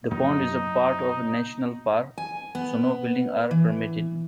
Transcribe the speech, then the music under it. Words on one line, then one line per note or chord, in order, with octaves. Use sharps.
The pond is part of a national park, so no buildings are permitted.
F#2 F#3 A#3 D#4
G#5
B3
E3